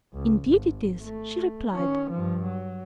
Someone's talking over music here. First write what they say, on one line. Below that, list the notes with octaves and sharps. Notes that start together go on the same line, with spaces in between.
"Indeed it is," she replied.
C#2
G#1
A3
D#3 C#4
G2 F3
F#3